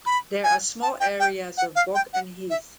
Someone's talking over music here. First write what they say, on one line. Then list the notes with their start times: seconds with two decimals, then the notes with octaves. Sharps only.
There are small areas of bog and heath.
0.06 B5
0.44 G#5
0.82 A5
1.00 G5
1.20 G5
1.57 F#5
1.76 F5
1.95 G5
2.13 F#5
2.50 E5